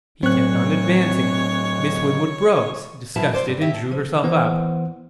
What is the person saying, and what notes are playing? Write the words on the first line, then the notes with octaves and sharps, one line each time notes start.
He kept on advancing. Miss Winwood rose, disgusted, and drew herself up.
A2 F#3 C4 C#5 F#6
B2 F3 F#3 E4 B4 A5
C5 D5
G2
E4 G4 E5
A5
F3
E3 B3 C5 F#5